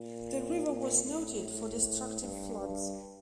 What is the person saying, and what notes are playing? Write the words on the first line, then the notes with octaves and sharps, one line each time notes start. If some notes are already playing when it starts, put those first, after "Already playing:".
The river was noted for destructive floods.
Already playing: A#2
A#2
A2
G2
G2